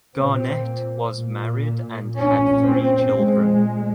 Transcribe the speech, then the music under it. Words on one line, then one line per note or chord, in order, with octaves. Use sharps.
Garnett was married and had three children.
A#2 C4
A#2
A#2 C#4
C4
A#2 G#3